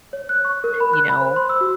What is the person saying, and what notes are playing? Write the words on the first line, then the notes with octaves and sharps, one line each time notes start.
you know
C#5
F#6
C#6
A#4
B5
F#6
B5
C5
C6
E6
F#4